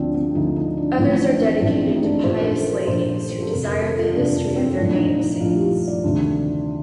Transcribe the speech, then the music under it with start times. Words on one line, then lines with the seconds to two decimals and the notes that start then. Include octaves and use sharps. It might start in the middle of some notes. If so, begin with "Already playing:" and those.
Others are dedicated to pious ladies who desired the history of their name-saints.
Already playing: D2 D3 F3 C4 D4
0.14 C4
0.35 D2 D3 F3 D#4
0.56 D#4
0.77 D4
0.98 A1 A2 F3 C4
1.19 D4
1.40 C4
1.61 A1 A2 F3 D4
1.82 C4
1.96 D#4
2.03 D4
2.24 A#1 A#2 F3 C5
2.40 A#4
2.56 A4
2.72 A#4
2.87 A#1 A#2 F3 C5
3.42 A4
3.51 F2 C3 F3 A#4
3.67 A#4
3.82 A4
3.98 F4
4.14 F2 C3 F3 D4
4.35 D4
4.56 C4
4.77 A#1 A2 F3 D4
4.93 D#4
4.98 D4
5.20 D#4
5.40 A#1 A2 F3 F4
5.56 G4
5.88 D5
6.04 D2 C3 D#3